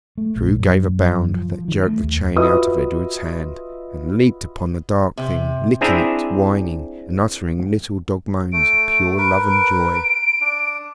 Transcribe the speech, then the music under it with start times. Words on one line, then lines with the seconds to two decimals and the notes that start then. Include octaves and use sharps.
True gave a bound that jerked the chain out of Edred's hand, and leaped upon the dark thing, licking it, whining, and uttering little dog moans of pure love and joy.
0.18 A3
0.36 A#1
0.59 F#2
1.34 F3
1.52 F3
1.68 D#3
1.87 A3
2.03 D#2
2.36 F4 F#4 B4 D#5 E5 D#6
5.17 C3
5.81 C4 D4 E4 G#4 E5 A#5
8.52 A3 D7
9.18 A#4 B4 D7
9.60 D7
10.40 D4